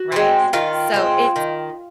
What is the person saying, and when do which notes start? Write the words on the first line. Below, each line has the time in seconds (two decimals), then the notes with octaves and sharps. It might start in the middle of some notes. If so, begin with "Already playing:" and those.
Right. So it's
Already playing: F#4
0.12 G#3 C4
0.53 D#3 F4 F5
0.94 G#3 C4
1.36 D#3